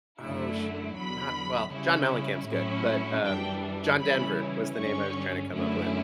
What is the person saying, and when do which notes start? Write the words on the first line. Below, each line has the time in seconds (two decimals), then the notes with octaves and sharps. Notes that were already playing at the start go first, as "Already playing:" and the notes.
oh, shoot, not well, John Mellencamp's good, but, um, John Denver was the name I was trying to come up with.
0.20 F#2 D3 A3 E4
0.96 E2 D3 F#3 B5
1.71 C#3 G3 C#4 E4
2.48 A2 F#3 C#4 E4
3.24 F#2 E3 G3 D4 G5
4.00 C#3 E3 G3 C#4 E4 B5
4.76 G2 D3 G3 C#4 C#6
5.52 F#2 D3 A3 C#4 E4